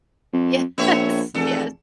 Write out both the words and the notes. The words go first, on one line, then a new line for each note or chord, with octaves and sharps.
Yes, yes.
F2
A#1 B3 C#5 E5
F1 E2 A4